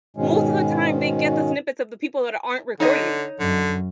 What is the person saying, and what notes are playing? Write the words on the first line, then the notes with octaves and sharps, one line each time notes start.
most of the time they get the snippets of the people that aren't recording.
G#2 B2 D#3 G#3 C#4
D3 D#4 C#5 D#5
F#2 D3